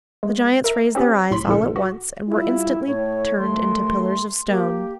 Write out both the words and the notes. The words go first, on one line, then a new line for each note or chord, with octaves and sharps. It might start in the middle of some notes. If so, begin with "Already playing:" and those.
The giants raised their eyes all at once, and were instantly turned into pillars of stone.
G#3
A#4 E5 A#5
C4 C#4 G4
B1 A2 B5 C6 B6
A#1 A2 C#3 A4
F#4
G3 E4 F4
A2 C#5
D#2 A3 C6
A#3 G4